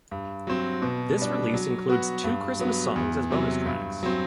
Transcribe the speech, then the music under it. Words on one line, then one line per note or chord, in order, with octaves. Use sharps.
This release includes two Christmas songs as bonus tracks.
G2
F#3 C4
B2
G3 D4
F#3
B3 F#4
G2
F#3 B3
E2
C3 F#3
G2
F#3 C4